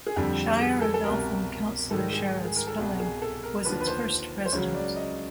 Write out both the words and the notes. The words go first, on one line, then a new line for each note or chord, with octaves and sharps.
Shire of Eltham Councillor Charis Pelling was its first President.
G#4
F2 D3 G3 G4
G#4
A4
A4
C2 B2 G3 A#4
G#2 D#3 G3 A4
G#4
G#4
A#4
A4
C2 B2 G3 G#4
G#4
A4
A#4
D#2 D3 F3 B4
B4
C5
C5
C#2 C#3 F#3 C#5
D5
D#5